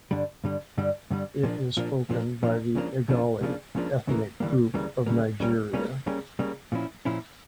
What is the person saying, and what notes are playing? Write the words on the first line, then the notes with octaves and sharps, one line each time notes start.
It is spoken by the Igala ethnic group of Nigeria.
G2 D3 G3
G2 D3 G3
G2 D3 G3
G2 D3 G3
A#2 F3 A#3 D4
A#2 F3 A#3 D4
A#2 F3 A#3 D4
A#2 F3 A#3 D4
C#2 C#3 F3 A#3 D4
C#2 C#3 F3 A#3 D4
C#2 C#3 F3 A#3 D4
C#2 C#3 F3 A#3 D4
D2 C#3 E3 G3 A#3
D2 C#3 E3 G3 A#3
D2 C#3 E3 G3 A#3
D2 C#3 E3 G3 A#3
C#2 C#3 G3 A#3 C#4
C#2 C#3 G3 A#3 C#4
C#2 C#3 G3 A#3 C#4
C#2 C#3 G3 A#3 C#4
A#2 F3 C#4 E4
A#2 F3 C#4 E4